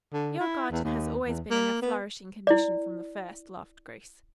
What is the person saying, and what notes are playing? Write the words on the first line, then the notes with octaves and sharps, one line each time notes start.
"Your garden has always been in a flourishing condition from the first," laughed Grace.
D3
E4
E2
D#2
E2
A#3
B3
E4 D5